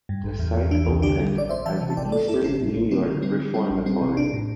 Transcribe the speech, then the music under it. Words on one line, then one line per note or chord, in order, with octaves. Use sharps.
The site opened as the "Eastern New York Reformatory".
G2
A1
E2
E2
E3 D4
C2
D3 D4 G4
G3
A1 D5
A1 C5 E5
E3 E5 A5
C3
A5
A1 D5 G5
A1 A4 D5
G2 E4 A4
G1 C4 E4
A2
A1
D3 C4 E4
D3
G3 C4
G3
G3 C4
A1
G3 C4
C3
A1 D4
A2